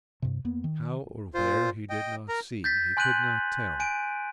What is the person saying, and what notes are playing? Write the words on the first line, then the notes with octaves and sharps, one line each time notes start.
How or where he did not see, he could not tell.
G2 C3
F2 A#3 B3
D#3
A#2 F4 C5
D#5 G5
A#4 A#5
G6 A6 B6
G#5 C6 F#6 G6 D#7 F#7
G#5 D7 D#7